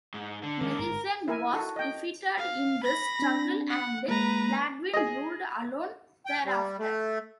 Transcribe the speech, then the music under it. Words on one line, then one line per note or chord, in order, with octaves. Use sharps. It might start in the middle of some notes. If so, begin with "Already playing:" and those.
Melisende was defeated in this struggle and Baldwin ruled alone thereafter.
G#2
D3
D3 D#3 G#3 A#3
G1 G#2 A#4
E4 A#4 G#5
F#4 A4
D#5 G5
F5
B5 A#6
C4 D4
F#5
G#3 A#3 B4 A#5
G#4 D#5
G5
G3
A3